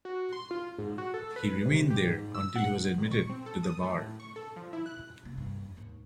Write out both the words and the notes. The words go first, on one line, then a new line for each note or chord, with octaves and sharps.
He remained there until he was admitted to the bar.
F#4
C6
F4
G#2
F#4
A4
B4
C3
G4
G#2
E6
F#5
D#3
C#6
C4
A4
D#6
A3
A2
C#6
A4
F3
E4
F#6
C3 A#3
G2
F2
D#2 G#2